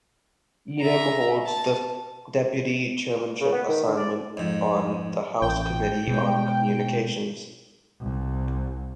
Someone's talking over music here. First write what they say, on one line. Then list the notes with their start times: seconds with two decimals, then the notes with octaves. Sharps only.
Idem holds the deputy chairmanship assignment on the House committee on Communications.
0.80 E5 A#5
1.46 A5
3.41 C#3
3.52 B3
3.69 D#3
3.87 D3
3.98 D5
4.37 F2 G#2
5.42 A1 G5
6.07 B2 G#3
8.00 C2